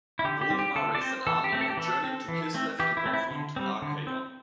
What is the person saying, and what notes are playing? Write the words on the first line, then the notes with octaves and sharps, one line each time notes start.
Volkmar raised an army and journeyed to Kislev to confront Archaon.
E4
D3 G4
G4
G3 C4
G4
D3 A4
D5
C4 C5
E3 A4
G4
A3 C4
A4
G4
E3 A4
C4
E3
A3 C4
E3 G4
E4
A3 C4
E4
D3
G3 C4
D3
C4